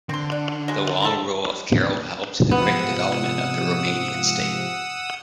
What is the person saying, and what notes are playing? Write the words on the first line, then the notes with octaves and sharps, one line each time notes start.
The long rule of Carol helped the quick development of the Romanian state.
D3 C4 C6
D4
F#3 G#3
A4 A#4
G#2 C3 F3 B3 F#5 D#6 E6